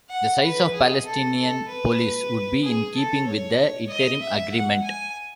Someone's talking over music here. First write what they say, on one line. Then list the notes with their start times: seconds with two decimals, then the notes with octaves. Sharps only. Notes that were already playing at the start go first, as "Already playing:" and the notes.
The size of Palestinian police would be in keeping with the Interim Agreement.
0.10 F#5
0.42 B4
0.74 G#4
1.05 A4
1.37 A4
1.68 B4
2.63 G#4
2.95 A4
3.27 C#5
3.90 D#5
4.21 E5
4.53 F#5
4.84 G#5